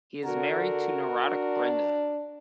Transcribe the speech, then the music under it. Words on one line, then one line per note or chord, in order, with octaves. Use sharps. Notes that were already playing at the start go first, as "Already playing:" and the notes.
He is married to neurotic Brenda.
D3 F#4 A#4
D4